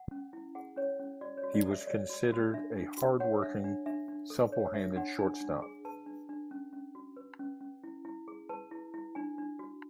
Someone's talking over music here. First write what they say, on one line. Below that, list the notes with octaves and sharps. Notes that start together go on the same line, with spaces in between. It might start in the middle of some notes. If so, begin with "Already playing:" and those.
He was considered a hard-working, supple-handed shortstop.
Already playing: F#5
C#4
E4
G#4 F#5
C#4 C#5
C#4
F#4 D5
C#5
F#4
D5
A4
E5
C#5 D5
F#4
F#4
D4 E5
D4
F#4
C#5 F#5
D4 E5
D4
D4 E5
D4
A4
C#5
D4 E5
D4 F#5
D4 G#5
D4
G#4
B4 A5
D4
D4
C#4
C#4
F#4
B4
C#4
C#4
E4
E4
G#4
B4 A5
E4
E4
D4 G#5
D4
F#4